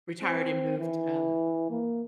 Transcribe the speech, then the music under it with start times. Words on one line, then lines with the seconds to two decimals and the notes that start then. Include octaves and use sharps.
retired and moved, um,
0.22 C4
0.79 E3
1.70 A#3